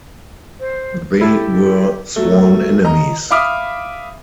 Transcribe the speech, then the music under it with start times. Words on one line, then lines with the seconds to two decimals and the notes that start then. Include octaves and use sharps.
They were sworn enemies.
0.60 C5
1.21 E4 G4 A4
2.16 F#3 A3
2.84 D#5 A#5
3.31 E5 F5 B5 D6 D#6 F6